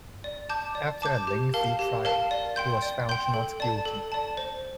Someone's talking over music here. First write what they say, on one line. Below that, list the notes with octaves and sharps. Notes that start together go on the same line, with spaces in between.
After a lengthy trial, he was found not guilty.
D5
A5 D6 G6
D5
A5 D6 G6
G4
A#4 F5 A5
G4
A#4 F5 A5
D5
G5 C6 G6
D5
G5 C6 G6
A4
D5 A5
A4
D5 A5
C5